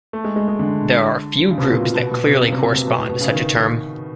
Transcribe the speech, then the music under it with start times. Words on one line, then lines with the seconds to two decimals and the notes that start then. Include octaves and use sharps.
There are few groups that clearly correspond to such a term.
0.13 A3
0.24 G#3
0.36 G#3
0.48 G#3
0.59 D3
1.51 C#3
1.58 C3
1.62 B2
1.73 A#2
1.84 A#2
1.95 B2
2.11 B2
2.26 C3
2.41 C#3
2.52 C3
2.64 B2
2.76 C3
2.87 B2
2.98 A2
3.09 B2
3.21 C#3
3.32 D#3